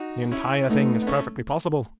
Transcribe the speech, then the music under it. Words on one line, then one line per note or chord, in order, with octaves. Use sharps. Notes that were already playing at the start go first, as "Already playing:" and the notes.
The entire thing is perfectly possible.
Already playing: D#4 F#4
C#4 E4
A3 B3 D#4
B3
A3 C#4